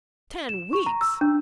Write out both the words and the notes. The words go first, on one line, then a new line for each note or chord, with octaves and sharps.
"Ten weeks!"
E7
C#6
A#5
E6
D4